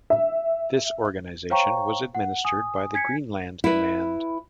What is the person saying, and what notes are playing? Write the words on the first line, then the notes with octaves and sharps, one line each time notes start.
This organization was administered by the Greenland Command.
E5
C5 C#5 F5 G5 A#5 C#6
F#5
G#5 D#6
G#5 G#6 B6 C#7
E4 B4